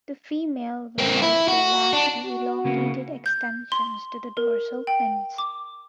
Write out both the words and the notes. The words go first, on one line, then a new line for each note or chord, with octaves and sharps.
The female will also lack the elongated extensions to the dorsal fins.
A#3 C4
E4
F#4
D4
F#4
C#3 A#3 B3
G6
C6
A#4
G5
D6